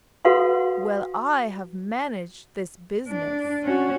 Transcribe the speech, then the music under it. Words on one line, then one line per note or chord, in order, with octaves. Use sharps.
'Well, I have managed this business.
F#4 A4 B4 F5 F#5 C6
D4
C#4 F#4